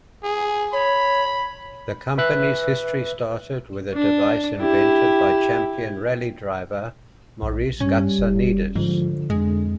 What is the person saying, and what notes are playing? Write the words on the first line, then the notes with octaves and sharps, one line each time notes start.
The company's history started with a device invented by champion rally driver Maurice Gatsonides.
G#4
C#5 B5
B4 E5 F#6
D4
E4 G4
A#1
G2 G3 C#4
F1
G#2 D3 F3
F2 D3 G#3